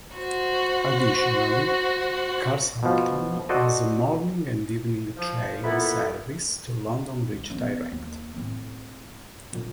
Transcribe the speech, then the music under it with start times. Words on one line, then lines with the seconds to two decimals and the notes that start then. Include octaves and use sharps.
Additionally Carshalton has morning and evening train service to London Bridge direct.
0.15 F#4 C5
2.83 B2 F3
3.49 F#4 A4 C5 D5 D#5
5.17 F3
5.64 A#2 B3 E4 A4 B4 E5 B5
7.33 C#2
7.50 E2 C#4
7.92 D#2
8.36 A2 C4
9.53 A#2 D3